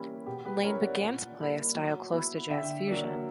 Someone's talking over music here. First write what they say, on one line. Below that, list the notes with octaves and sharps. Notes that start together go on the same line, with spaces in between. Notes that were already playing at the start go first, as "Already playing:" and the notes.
Lane began to play a style close to jazz fusion.
Already playing: E3 G3 A#3 C#4 E4 G4
B2 G4
G4 B4
G3 C#4 E4 A#4 C#5
D5 F#5
A#2
G3 A#3 E4
F#3
B3 E4
D3 E5 G5
F#3 A#3 D4